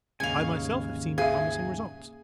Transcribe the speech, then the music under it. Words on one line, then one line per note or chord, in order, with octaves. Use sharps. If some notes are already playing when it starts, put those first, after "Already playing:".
I myself have seen promising results.
D#2 G#2 C#3 F5 G#5
G#4 E5 F5 G#5